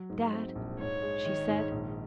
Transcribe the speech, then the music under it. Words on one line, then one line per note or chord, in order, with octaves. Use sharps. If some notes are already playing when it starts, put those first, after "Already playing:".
"Dad!" she said.
Already playing: F#3
G#2
C4
A#1
G#2 C#5
G#3
D#3
G#2
A#1